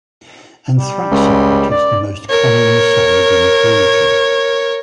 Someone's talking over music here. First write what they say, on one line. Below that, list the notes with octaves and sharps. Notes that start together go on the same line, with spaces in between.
Anthraxolite is the most common solid inclusion.
G3
C#2
D5
A#4 C#5